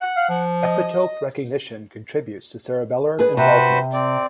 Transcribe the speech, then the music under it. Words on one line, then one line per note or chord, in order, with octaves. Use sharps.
Epitope recognition contributes to cerebellar involvement.
F#5
F5
F3
D#5
G#4 B4
C3 F#4 B4 C5
C4 D5